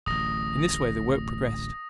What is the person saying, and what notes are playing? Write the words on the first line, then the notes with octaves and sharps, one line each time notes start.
In this way the work progressed.
D1 A1 D#6 A#6